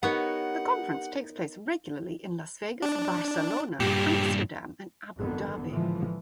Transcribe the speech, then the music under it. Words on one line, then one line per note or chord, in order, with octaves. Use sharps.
The conference takes place regularly in Las Vegas, Barcelona, Amsterdam, Abu Dhabi.
B3 D#4 G4 A#4 C#5 F#5
D4
G2 A#2 G4
G#1 F#2 D3 D#3 B3
A2 D3 E3 F3 G#3